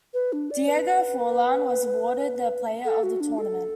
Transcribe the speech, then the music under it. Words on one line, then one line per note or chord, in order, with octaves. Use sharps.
Diego Forlan was awarded the Player of The Tournament.
B4
D4
D5
B4
A4
F#4
D4
A4